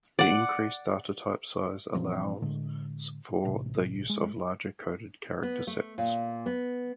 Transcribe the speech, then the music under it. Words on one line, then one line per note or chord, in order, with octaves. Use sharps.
The increased datatype size allows for the use of larger coded character sets.
D5 F#5
A#2 E3 F3 C4
A2 D3 G#3
A1 C3
G#3
B3
A3
A#2
B3